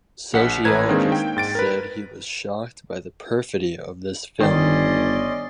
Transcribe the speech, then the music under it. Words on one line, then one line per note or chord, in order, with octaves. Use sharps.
Sociologist said he was "shocked by the perfidy of this film".
A#1 F#5 B6
A1 B4 A#5 G#6
D#3 G#3 A#3 C4 D4 D#4
G5
G#2 A6 D7
A#4 B4
G1 D#3 C#4 D5 D#5 C6